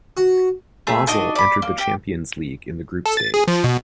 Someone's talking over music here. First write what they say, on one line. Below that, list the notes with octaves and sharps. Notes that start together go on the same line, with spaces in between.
Basel entered the Champions League in the group stage.
F#4
A3 G#4 E5
D4 D#4 F#4 D#5
D5 B5
A#3
G4
A4
A6
G#4
F3
B2